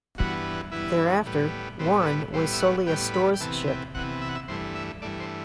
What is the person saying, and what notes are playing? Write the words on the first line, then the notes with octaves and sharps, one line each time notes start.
Thereafter, "Warren" was solely a stores ship.
G2 E3 B3 F#4
G2 E3 B3 E4
A2 G3 B3
A2 G3 B3 C4
A4
B4
A2 G3 B3 C5
E5
F#5
A2 G3 B3 G5
B5
G5
C3 E3 B3 A5
G5
C3 E3 B3 F#5
E5
F#5
E5
G2 E3 A3 C5
E5
G2 E3 A3 D5
C5